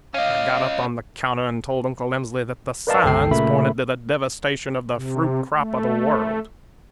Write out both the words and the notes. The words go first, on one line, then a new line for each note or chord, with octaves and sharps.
I got up on the counter and told Uncle Emsley that the signs pointed to the devastation of the fruit crop of the world.
C#4 D#5 F5
A#4 B4 D5 D#5 F5 A5
G1 C#2 A4 G5 C7
A#2 C#3 A3 A#4 E5 B5
C3
A3